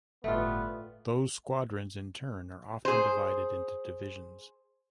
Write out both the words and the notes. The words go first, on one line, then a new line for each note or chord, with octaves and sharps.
Those squadrons in turn are often divided into divisions.
G1 A2 G3 A3 B3 F4 D#5
G#4 C5